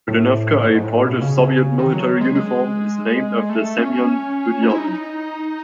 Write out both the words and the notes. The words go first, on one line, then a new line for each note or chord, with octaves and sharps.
Budenovka, a part of Soviet military uniform, is named after Semyon Budyonny.
A2
G#2
G#2
A2
B2
C#3
D#3
F#3
G#3
G#3
A3
C#4
D#4
E4
D#4